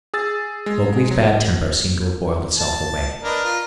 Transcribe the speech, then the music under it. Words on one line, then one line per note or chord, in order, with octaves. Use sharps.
Mowgli's bad temper seemed to have boiled itself away.
G#4 E6 A6
G#3
F#3
A5
D4 A#4 B4 D#5
F4